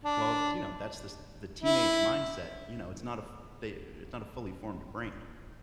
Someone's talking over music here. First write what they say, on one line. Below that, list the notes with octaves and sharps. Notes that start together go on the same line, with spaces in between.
well, th you know, that's the s the teenage mindset, you know, it's not a f they it's not a fully formed brain,
D4
E4